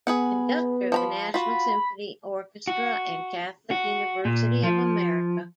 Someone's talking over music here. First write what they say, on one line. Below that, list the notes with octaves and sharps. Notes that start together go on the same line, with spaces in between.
Conductor of the National Symphony Orchestra and Catholic University of America.
B3 G#4 B4 F#5
F3 A#5 B5
F4 F#4 B5
F#4
F#4
A#2
F3